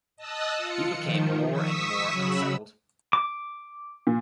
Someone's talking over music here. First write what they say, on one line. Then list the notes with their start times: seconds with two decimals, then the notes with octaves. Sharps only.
He became more and more unsettled.
0.17 D#5 A5 D#6 E6 F#6
0.55 F4 C#7
0.94 D#3 F3
1.51 C#6 D#6 E6 B6
2.09 C#3 F#3 B5 E6
3.13 D6
4.07 A#2